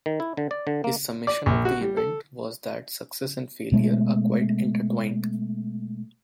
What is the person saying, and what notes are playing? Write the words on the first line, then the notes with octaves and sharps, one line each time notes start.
His summation of the event was that success and failure are quite intertwined.
D#3
E4
D3
D5
D3
A#3
D5
A#1
F#4
G3
A4
B2 G#3 A3